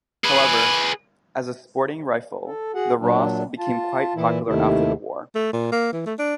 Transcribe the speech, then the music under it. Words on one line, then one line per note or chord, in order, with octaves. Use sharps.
However, as a sporting rifle, the Ross became quite popular after the war.
G#4 B4
A4
F#4 G#4 F#5
A#2 F#3 D4
F4 A5
A#2 E3 E4
D#2 C3 D#3 A3 E4
A3
A#2
A#3
E3
A3
D4